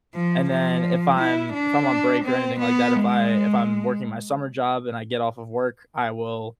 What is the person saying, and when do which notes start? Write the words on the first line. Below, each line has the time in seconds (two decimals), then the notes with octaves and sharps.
And then if I'm if I'm on break or anything like that, if I if I'm working my summer job and I get off of work, I will
0.14 F3
0.50 F3
1.19 E4
1.54 D4
2.24 C4
2.60 B3
2.94 G#3